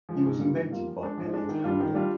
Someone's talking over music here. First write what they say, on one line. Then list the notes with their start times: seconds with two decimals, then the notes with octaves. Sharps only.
He was invented by Elliot Handler.
0.09 F3 G#3
0.25 G#2
0.40 G3 A#3 F4
0.55 G#2
0.70 G3 A#3 F4
0.87 F3
1.01 G#3 D4
1.17 F3
1.33 G#3 D4
1.49 D#3
1.64 G3 D4 F4
1.80 D#3
1.95 G3 D4 F4